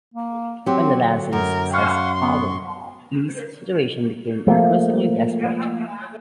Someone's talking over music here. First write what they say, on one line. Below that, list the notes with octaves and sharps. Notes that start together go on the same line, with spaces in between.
When the Nazis seized power, Ley's situation became increasingly desperate.
A#3
F#3 C4 G4
D3
F#2 A#4
F5 F#5 C6 C#6
B3 C#6
F3 G3 A3 A#3